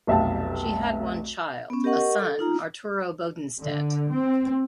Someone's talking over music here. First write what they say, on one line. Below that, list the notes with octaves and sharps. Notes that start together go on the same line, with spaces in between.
She had one child, a son, Arturo Bodenstedt.
F1 B1 E5 F5 G5 A5
B3 C#4
G4 A#4 D#5 F#5 C#6
A4
D#4 F4 A#5
D3
C4